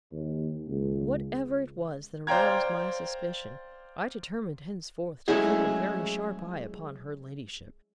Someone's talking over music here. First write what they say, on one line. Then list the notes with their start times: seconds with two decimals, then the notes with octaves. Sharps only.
Whatever it was that aroused my suspicion, I determined henceforth to keep a very sharp eye upon her ladyship.
0.12 D#2
0.67 C#2
2.27 C5 D5 F5 G5 A#5 G#6
5.28 F#3 G#3 A3 C#4 E4 G#4